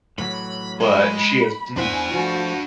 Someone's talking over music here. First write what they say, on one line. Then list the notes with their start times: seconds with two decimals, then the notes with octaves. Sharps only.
But she has hmm
0.18 A2 E3 F#3 B5
0.80 G#3 B5
1.76 E2 D4 E4 C5 F#5 G#5 B5
2.14 F3 A3 F#4